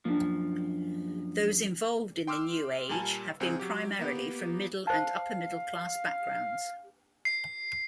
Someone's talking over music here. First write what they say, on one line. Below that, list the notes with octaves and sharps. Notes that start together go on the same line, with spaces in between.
Those involved in the New Age have been primarily from middle and upper-middle-class backgrounds.
F#2 F3 A#3 D4
G5 C6 D6 E6 F6
A#2 G3 A#4 G#5 A5
C#2 C4 G#4
F#3 G4
A#3 B3 G4
C5 F5 A5
C7